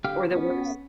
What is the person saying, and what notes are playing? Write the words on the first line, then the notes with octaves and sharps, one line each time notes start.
Or the worst
D3 G4 F5 G5 F6
B3 C#4